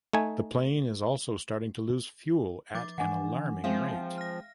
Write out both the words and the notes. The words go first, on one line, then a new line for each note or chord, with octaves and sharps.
The plane is also starting to lose fuel at an alarming rate.
A3 D#4 G#5
F3 D6 A6
E3 D4 F#5 G#5 D6
F3 G#3 C4 E5 F5 G5
F6 A#6